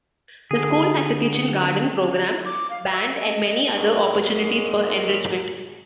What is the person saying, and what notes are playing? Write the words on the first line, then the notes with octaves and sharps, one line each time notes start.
The school has a kitchen garden program, band and many other opportunities for enrichment.
D3 G#4
D6
F5
E6
D#5
G#2 F#3 G#3 A#3